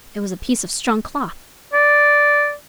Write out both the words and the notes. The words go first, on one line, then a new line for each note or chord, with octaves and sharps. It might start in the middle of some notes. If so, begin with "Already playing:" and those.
It was a piece of strong cloth!
D5